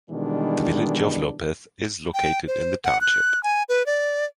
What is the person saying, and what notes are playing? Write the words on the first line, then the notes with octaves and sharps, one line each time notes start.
The village of Lopez is located in the township.
B2 D#3 E3 G3 G#3 D4
G5
C5
F#5
F#6
G#5
B4
D5